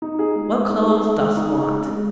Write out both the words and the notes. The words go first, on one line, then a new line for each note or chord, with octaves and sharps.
What clothes dost want?
D#4
G#4
G#3
G#3
D#4
G#4
G#3
G#3
D#4
G#4
G#3
G#3